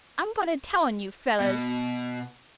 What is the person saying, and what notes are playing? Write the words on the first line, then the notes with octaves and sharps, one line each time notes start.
"I'm going to tell on you fellows!"
B2